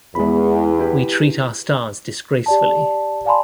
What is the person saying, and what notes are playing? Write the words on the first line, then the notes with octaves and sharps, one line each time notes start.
We treat our stars disgracefully.
E2 G#3 B5
E4 G4 B4
G4 D5 A5
D5 F5 G#5 A5 B5 C6